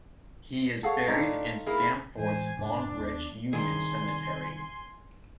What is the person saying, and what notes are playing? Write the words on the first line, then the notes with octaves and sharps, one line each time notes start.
He is buried in Stamford's Long Ridge Union Cemetery.
G#4 A4 C#5 F5 F#5
A2 C#3 D4 D#4 F4 G5 A5
A#3 E4 G#4
A2 E3 G#3 C5 G#5
F2 G#2 C3 D4
D#2 B3
C2 D#3 G#4 G#5 C6